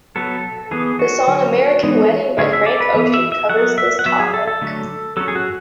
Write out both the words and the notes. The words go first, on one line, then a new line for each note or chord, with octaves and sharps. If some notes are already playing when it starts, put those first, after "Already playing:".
The song American Wedding by Frank Ocean covers this topic.
F#3 B3 A4
E3 B3 G#4
F#4
D3 F#3 C#4
E3 G#3 B3
D3 A3 C#4 G#4
E5
D5
B4
E3 B3
E5
E5
F#3 B3 F#5
E5
F#5
F#3 B3 E5
G#4
A4
A4
D3 F#3 A3
F#3 C#4 A4
G#4
F#4